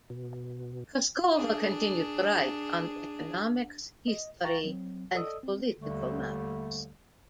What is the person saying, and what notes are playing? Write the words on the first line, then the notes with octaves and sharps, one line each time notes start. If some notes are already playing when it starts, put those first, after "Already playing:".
Kuskova continued to write on economics, history and political matters.
B2
D4 G#4
D#5
F5 G5 A#5 C#6 A6 A#6
F#3 C4
A4 D5 D#5 D#6 E6
C4
D#2 D3 G3 A3